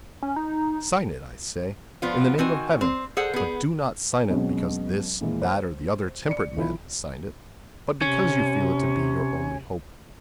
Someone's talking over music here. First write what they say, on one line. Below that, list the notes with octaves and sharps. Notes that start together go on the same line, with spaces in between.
Sign it, I say, in the name of Heaven; but do not sign it because this, that, or the other temperate man has signed it, but because you feel it to be your only hope.
C#4
D#4
F3 B3 F4
D#3 C4 F#4 G#5
C4
G#4 A4 C5 F#5
B3 G#4
B2 F#3 G#3 C4 C#4
A#2 E3 G#3 A#3
C5
D5 C#7
B1 E3 E4 F4 B5
C3 C#4